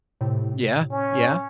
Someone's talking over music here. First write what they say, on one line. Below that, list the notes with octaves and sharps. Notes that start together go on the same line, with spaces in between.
Yeah, yeah.
A2 C3
C#4